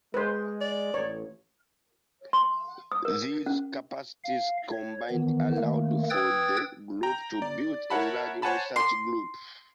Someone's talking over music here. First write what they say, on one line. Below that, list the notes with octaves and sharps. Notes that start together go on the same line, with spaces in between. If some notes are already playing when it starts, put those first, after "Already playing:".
These capacities combined allowed for the group to build a large research group.
G#3 B4 C5
D5
A1 C#5
C6
D#6
A#4
C#4
F5
C#5
D#3 E3 B3
D#3 A3 A#3
B4 G5 D#6 E6 G#6 A6
G5 A#5
D5
A#4 C#5 E5 F#5 A5 B5
C5 C#5 F#5 G#5 A5 B5
C6